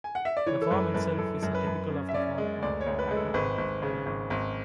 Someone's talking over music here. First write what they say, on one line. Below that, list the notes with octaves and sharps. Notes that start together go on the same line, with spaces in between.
The farm itself is typical of the farms on Aquidneck Island.
G#5
F#5
E5
D5
E3 C#5
A4
F#2 B4
F#2 B4
F#2 A4
F#2
B4
F#2
C#4
E5
C#4 D5
G#3
D2 D5
C#5
D2
B4
G#3
A4
G#1 B4
G#1
C#3
G#1
G#1